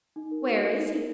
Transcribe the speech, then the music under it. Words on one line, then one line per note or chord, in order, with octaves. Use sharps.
"Where is he?"
D#4
A#4
F#4
D#4
D#4
A#4